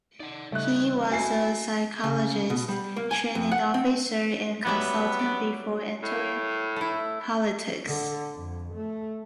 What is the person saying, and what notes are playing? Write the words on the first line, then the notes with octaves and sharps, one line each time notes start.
He was a psychologist, training officer and consultant before entering politics.
D#4 D5 F#5
C#3 G3 A3 D#5 F#6
E4 F#4 A4 G#5 C7
C#3
B2
G3
A#3
G#5
F2
F#5
C4
F#3 G3 B3 E5
D5
A2
A3 E4
D3
F2
A3